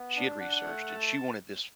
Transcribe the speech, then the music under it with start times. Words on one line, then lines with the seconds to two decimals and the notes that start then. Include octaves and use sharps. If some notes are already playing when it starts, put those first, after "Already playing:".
she had researched, and she wanted this
Already playing: B3
0.16 D4
0.40 F#5
0.64 A3
0.88 A5